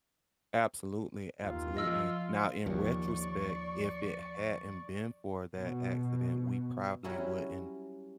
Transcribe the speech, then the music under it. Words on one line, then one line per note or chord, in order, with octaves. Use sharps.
Absolutely, absolutely. Now in retrospect, if it hadn't been for that accident, we probably wouldn't
D#2 F4
F3 D#5 E6 F6
D#2 F3 D5 C#6
B2
F#3 G3 C#4 E4 F#4 A#4